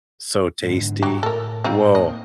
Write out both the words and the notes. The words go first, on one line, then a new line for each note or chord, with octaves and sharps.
So tasty. Woah.
G#2 D3
F#3 G4
A2 A4 A#4
C4 D#4 F4
A#3 C4 D#5